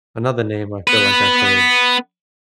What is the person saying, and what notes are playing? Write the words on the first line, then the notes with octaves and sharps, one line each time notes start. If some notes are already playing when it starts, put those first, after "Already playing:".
Another name I feel like I've heard.
B3 B4